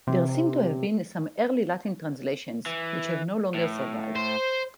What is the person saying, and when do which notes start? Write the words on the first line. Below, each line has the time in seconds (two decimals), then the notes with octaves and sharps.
There seem to have been some early Latin translations, which have no longer survived.
0.07 C3
2.66 E3
3.54 A2
4.16 C5